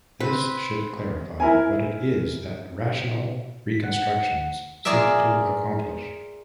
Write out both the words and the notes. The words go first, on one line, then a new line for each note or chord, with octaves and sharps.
This should clarify what it is that rational reconstructions seek to accomplish.
C4 B4
E4 A#4 G#5
B6
F#5
F4 G#4 A#4 D5 E5